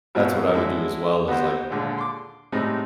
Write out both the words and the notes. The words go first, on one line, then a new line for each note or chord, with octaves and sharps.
that's what I would do as well is, like,
F2 B2 F3 F#3 E4
F#3 G#3 D4 E4 A4
B3 D#4 F#4 G4 C5
D#2 A#2 D3 G#3
C6 D6
A2 C3 G3 G#3 C4 D#4